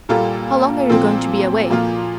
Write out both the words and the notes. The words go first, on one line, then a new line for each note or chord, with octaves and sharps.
"How long are you going to be away?"
A#2 G3 A#3 F4 A4
A#2 F3 C4 A4
A#2 F3 A#3 F4